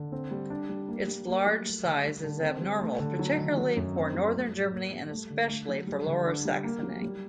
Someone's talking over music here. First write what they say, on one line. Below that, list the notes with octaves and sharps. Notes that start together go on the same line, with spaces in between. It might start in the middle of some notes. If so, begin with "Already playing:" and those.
Its large size is abnormal, particularly for northern Germany and especially for Lower Saxony.
Already playing: D3
C4
G3
D4
G3
A#3
G3
A#3
F#3
A3
D3
G3
D3
C4
G3
A3
D3
F#3
D#3
F#3
F#2
C4
F#3
A3
A2
A#3
G3
A3
D3
A3
F#3
G3
D3
D4
G3
A#3
F#3
G3